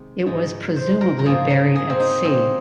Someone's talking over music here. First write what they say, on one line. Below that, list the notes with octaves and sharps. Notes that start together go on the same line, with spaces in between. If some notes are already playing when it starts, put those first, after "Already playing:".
It was presumably buried at sea.
Already playing: C3 D#3 G#3
G#2 G#3
C5
A#4
A#4
G#2 F3 A#3 G#4
A#4
G#4
C4
D#4
A#2 G#3 C4